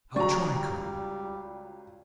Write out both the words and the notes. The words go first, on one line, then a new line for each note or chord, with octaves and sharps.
"I'll try, Colonel!"
C#2 F#3 G3 D5 A#5 C#6